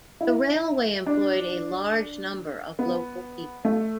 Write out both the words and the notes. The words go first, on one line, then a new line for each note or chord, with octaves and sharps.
The railway employed a large number of local people.
E4
D4
B3
A3